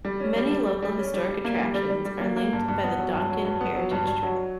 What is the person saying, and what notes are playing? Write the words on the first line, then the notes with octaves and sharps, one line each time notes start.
Many local historic attractions are linked by the "Donkin Heritage Trail".
G3
C#4
G3
G3
G3
G3
C#4
G3
G3
A#3
G3
G3
G3
G3
A#3
A#3
G2
G2
B3
F#3
G2
F#3
G2
B3
F#3
G2
G2
F#3